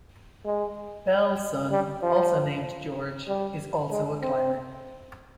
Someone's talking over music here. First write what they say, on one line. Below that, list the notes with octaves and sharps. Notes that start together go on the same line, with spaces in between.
Bell's son, also named George, is also a climber.
G#3
G3
F3
G3
G#3
C4